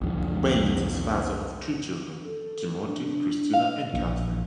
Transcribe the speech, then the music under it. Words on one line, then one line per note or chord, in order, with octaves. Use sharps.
Baines is father of three children - Timothy, Christina, and Catherine.
C2 F2 D3
A4
D4
D#5 F5
A#1